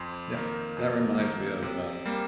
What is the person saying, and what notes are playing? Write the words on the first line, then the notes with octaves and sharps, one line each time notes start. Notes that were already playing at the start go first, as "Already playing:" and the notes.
Tha that reminds me of, um,
Already playing: F2 C6
D#3 A#3
F2
D#3 A#3
C3
G3 A#3